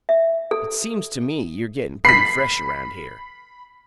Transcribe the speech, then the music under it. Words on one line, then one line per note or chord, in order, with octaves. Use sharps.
"It seems to me you're gettin' pretty fresh around here."
E5
A4
B5 B6 C7